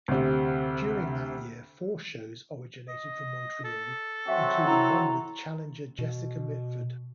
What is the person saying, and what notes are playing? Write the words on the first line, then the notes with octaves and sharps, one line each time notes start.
During that year four shows originated from Montreal including one with challenger Jessica Mitford.
D2 C3
D#5
A4
F#3 C4 F#4 E5
E4 A#5
B2